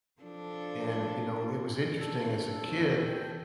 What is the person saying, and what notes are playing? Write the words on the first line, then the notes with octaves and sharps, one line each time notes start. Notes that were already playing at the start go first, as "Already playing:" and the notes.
and, you know, it was interesting as a kid,
F3 D4 A4
D4 A4
F2
E2 G5